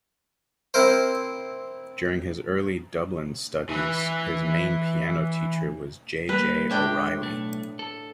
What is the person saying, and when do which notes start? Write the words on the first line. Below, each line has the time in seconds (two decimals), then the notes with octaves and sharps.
During his early Dublin studies, his main piano teacher was J. J. O'Reilly.
0.74 C4 E4 A#4 C5
3.69 E3 B4
6.29 G3 A#3 B4
6.70 A2 G#3 D4 G5
7.22 B1 A3
7.79 A4